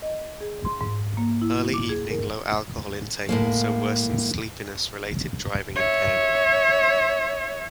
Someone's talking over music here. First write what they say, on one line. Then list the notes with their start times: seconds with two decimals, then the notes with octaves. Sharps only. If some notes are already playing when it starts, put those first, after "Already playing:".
Early evening low alcohol intake also worsens sleepiness-related driving impairment.
0.02 D#5
0.41 G#4
0.65 C6
0.81 G#2
1.17 A#3
1.41 E4
1.74 D6
1.89 G#4
2.10 A#4
3.29 A2 G#3 A#3
5.76 C#5 E5